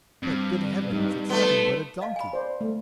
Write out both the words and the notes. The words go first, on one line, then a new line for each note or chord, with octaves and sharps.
'But, good heavens, it's nothing but a donkey!'
G2 C4
G3 D#4
A3 B3 C6
D#5 F5 A5
G#5 B5
C5 D5
A3